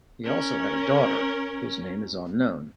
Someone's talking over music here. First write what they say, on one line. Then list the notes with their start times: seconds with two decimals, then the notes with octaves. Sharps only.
He also had a daughter, whose name is unknown.
0.24 C#4 A#4